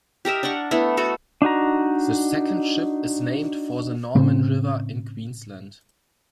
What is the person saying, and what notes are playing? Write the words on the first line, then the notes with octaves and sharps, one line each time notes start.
The second ship is named for the Norman River in Queensland.
G4 A#4 D#5 E5
D4 A#4 F#5 C#6
A3 B3 E4
A3 F#4 A4 D#5
D4 D#4 F#4 A#5
A2 C#3 C4